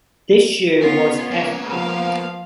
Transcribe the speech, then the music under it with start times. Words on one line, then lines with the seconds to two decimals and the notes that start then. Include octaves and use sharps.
This year was Fr.
0.77 B3 C#4 F4
1.31 A#3 B3 C#4
1.72 F3 F5